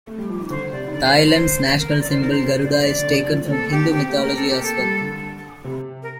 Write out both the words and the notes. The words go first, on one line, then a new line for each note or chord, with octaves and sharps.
Thailand's national symbol Garuda is taken from Hindu mythology as well.
A3
G3
F3
D#3
D3 C5
C3 D5
D#3
D3 D5
C5
A#4
C5
A#4
D5
C5
D3
D#3 A#4
C5
C3
D3 D5
C5
D5
D3
D3
C3
D3
F3
A3
C4
A#3 A4
D#4 G4
D4
C4 G4
A3 G4
A#3
A#4
C4 A4
G4
A#3 A4
G3
D3
C3
A#4